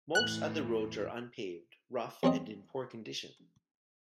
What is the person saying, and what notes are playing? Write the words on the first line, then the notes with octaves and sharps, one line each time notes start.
Most other roads are unpaved, rough and in poor condition.
E2 A2 E3 F#6
E2 F#3 C4 D#5